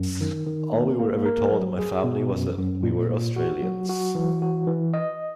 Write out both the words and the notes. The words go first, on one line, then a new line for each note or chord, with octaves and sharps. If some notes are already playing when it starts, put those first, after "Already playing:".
All we were ever told in my family was that we were Australians.
Already playing: F#2
D#3
D#3
A#3
A#3
A#4
F#3
G#4
B2
F#2
F#2
A#2
A#2
F#4
F#3
F#4
E3
F#4
E3
D#5